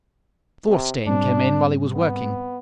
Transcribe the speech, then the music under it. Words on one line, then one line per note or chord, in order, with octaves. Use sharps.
Thorstein came in while he was working.
C3
G#2 G3 C4 D4
B3